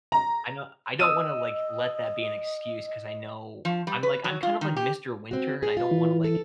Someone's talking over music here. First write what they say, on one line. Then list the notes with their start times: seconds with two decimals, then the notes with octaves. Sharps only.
and, uh, I don't wanna, like, let that be an excuse 'cause I know I'm, like, I'm kind of like Mr. Winter, and I don't wanna, like,
0.12 A#5
1.00 D#5 D#6 E6 D#7
3.65 F3
3.87 G3
4.03 B4
4.24 F#3
4.43 F4
4.61 D#3
4.76 G4
5.31 C4 F#4
5.63 G#4
5.77 F4 B4
5.91 E3
6.24 A4